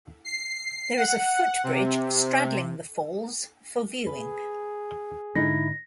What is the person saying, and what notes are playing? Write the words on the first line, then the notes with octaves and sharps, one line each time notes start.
There is a footbridge straddling the falls for viewing.
C7
F#5
C3
G#4 B4
G#2 D3 D#4 E4 A#6